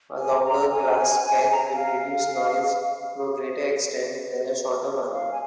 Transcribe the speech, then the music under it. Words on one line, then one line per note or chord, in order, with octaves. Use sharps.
A longer glasspack will reduce noise to a greater extent than a shorter one.
G#5
A#5
G#5
A#5
G#5
F5
F5
G#5